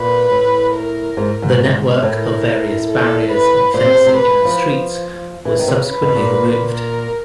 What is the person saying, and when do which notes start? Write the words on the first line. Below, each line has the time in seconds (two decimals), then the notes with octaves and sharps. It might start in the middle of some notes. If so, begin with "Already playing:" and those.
The network of various barriers and fencing in the streets was subsequently removed.
Already playing: A#2 B4
0.32 A2
0.75 A#4
1.17 G#2
1.42 G#2
2.03 A2 A#4
2.88 A4
3.31 B4
3.74 A#2 C5
3.85 C3
3.95 C3
4.06 C3
4.16 B4
4.31 E3
4.45 F3
5.45 E3
5.59 D#3
5.68 C3
5.74 C#3
5.88 B4
6.02 B2
6.16 A#2
6.73 A#4